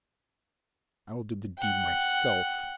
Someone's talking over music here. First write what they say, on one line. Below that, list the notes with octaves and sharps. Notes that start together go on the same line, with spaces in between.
"I'll do the deed myself."
F#5 G5